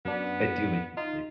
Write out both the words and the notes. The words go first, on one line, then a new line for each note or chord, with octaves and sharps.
I do make mistakes.
F#2 B3 D4
D#4 F4